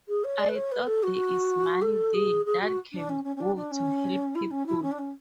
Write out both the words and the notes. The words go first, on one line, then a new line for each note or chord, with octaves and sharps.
I thought there is money there that can go to help people.
G#4
C#5
D5
B4
C#5
B4
A4
F#4
A4
G#4
G#4
F#4
D4
C#4
C#4
C#4
D4
D4
C#4
E4
C#4
E4
C#4
D4
C#4